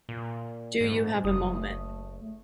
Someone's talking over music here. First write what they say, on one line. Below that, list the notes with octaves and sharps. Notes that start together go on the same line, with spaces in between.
Do you have a moment?
A#2
G#2
F#1 D#6
A3